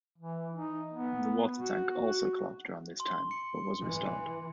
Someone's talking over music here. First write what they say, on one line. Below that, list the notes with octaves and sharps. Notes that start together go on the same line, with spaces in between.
The water tank also collapsed around this time but was restored.
E3
D#4
B3
F#4
C6
C#7
E3